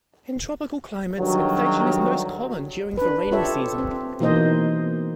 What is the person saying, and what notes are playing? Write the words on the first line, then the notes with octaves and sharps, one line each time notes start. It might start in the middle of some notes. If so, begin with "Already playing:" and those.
In tropical climates, infection is most common during the rainy season.
G2 D3 D#3 F#3
D4 B4
F4 G4 A4 C#5 E5
C4
B2 E3 A#3 D#4 C5 D#5